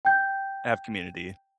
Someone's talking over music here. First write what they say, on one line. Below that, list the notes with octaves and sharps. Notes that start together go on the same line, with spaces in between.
I have community.
G5 G6